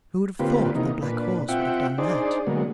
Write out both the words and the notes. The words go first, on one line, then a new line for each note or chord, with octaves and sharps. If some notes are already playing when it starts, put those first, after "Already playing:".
Who would have thought the black horse would have done that?
D3 A#3 C4 F4 G4 B4
C3 D#3 E3 A#3 B3 D#4
A#2 D4 B4
C4 F4 E5 F#5 G5
D4 D#4 G#4 C5 D5
D3 F#3 G#3 A#3 B3